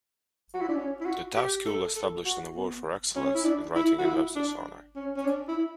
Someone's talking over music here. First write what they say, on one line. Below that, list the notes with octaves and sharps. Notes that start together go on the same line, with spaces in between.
The Taft School established an award for excellence in writing in Webster's honor.
F#4
E4
D4
C#4
E4
F#4
G4
A4
A4
F#4
B3
C#4
E4
D4
E4
F#4
E4
D4
C#4
C#4
D4
E4